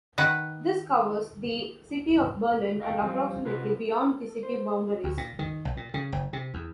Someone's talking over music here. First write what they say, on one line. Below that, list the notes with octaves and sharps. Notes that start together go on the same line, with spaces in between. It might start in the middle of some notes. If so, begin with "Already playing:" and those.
This covers the city of Berlin and approximately beyond the city boundaries.
D#3 B4 F#5
D#5 F5 G5
F#2 F3 G3 C4 F4
C3 F4 F#4 B4
A4
C5
D2
A#2
D#3
B1
A#2
C#3
F#1
C3
E2